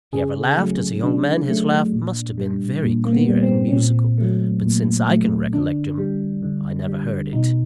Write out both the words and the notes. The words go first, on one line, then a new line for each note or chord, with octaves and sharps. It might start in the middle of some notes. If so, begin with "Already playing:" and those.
If he ever laughed, as a young man, his laugh must have been very clear and musical; but since I can recollect him, I never heard it.
C#3 G#4
F#3 A3
C#3 D4
F#3 A3
A#2
G3
A#2
A#3
B3
G3
C4
C#4
A#2 C4
F#3 A3
A#2
F#3 A3
D3 D4
G3
D3
G3
B2 D#4